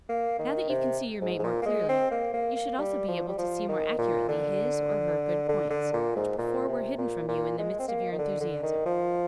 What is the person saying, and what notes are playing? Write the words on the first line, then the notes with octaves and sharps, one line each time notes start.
Now that you can see your mate more clearly, you should also be able to see more accurately his, or her, good points, which before were hidden from you in the mist of your enthusiasm.
A#3
D#3
C3
G#2
G#2
A#2
A#3
G#3
C4
A#3
A#3
A#3
G3
F3
G3
F3
D#3
A#2
D3
D3
D3
A#2
G#2
A#2
C3
A#2
A#2
G#3
C4
A#3
D#3
D3
D3
D#3
F3